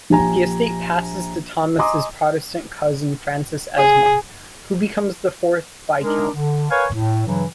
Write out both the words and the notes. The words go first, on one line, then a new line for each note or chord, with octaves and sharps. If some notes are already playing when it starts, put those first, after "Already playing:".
The estate passes to Thomas's Protestant cousin Francis Esmond, who becomes the fourth viscount.
A#1 G4 G#5 A#5
D#5 G#5 A#5 C6 D6 D#6
G#4
G#3 D4 D#4 A#4
D3
A#4 B4 C#5 F5 G#5
A2
G2 C#3 E3 F#3